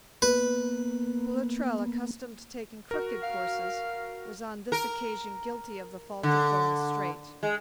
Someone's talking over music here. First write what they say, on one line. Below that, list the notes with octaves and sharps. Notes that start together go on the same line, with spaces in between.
Boulatruelle, accustomed to taking crooked courses, was on this occasion guilty of the fault of going straight.
A#3 B3 B4
F#4 A#4
F5
A#4
D3
G#3